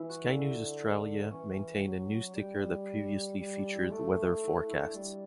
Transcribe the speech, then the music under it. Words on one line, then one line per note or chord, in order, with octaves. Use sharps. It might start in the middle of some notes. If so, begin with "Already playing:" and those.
Sky News Australia maintained a news ticker that previously featured weather forecasts.
Already playing: E3 E4
F#4
D3 E4
E3 C#4
F#3
G3 G4
G3
D4
E4
A3 D4
E4
F#4
E4
D4
G3